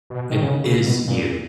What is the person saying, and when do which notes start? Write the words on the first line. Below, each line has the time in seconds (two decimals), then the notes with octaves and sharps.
It "is" you.
0.10 B2
0.30 D#3
0.43 C#3
0.64 C#3
0.86 B2
1.07 A#2